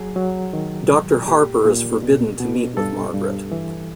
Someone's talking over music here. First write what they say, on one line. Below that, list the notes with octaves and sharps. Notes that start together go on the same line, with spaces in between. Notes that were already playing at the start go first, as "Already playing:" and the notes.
Doctor Harper is forbidden to meet with Margaret.
Already playing: F#3 G#4
F#3
D#3
G#2
A#2 G4
A#2
B2
B2
G2 A4
G2
E3